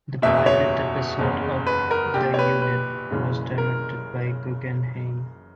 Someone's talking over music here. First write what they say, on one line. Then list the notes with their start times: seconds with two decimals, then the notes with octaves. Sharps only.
The pilot episode of "The Unit" was directed by Guggenheim.
0.22 F#1 E2 B2 E5
0.46 C#5
1.19 F#1 E2 C#3
1.67 B4
1.91 A#4
2.14 A#1 A#2 G4
2.34 C#5
2.39 B4
2.62 B4
3.10 F#1 F#2 C#3 E3
3.58 A#4